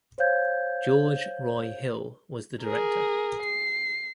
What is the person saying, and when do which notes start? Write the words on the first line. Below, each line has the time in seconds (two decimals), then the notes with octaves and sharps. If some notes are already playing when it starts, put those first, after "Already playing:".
George Roy Hill was the director.
0.18 C5 C#5 F5 G6 G#6
2.63 G#4 A#4
3.43 C7